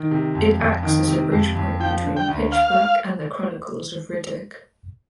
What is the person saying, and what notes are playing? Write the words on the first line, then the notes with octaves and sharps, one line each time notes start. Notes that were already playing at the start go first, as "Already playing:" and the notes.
It acts as a bridgepoint between "Pitch Black" and "The Chronicles of Riddick".
Already playing: D#3
C3
F2
F2
D#3
C3
F2
F2
F3 G5
D3
G5
D2
F5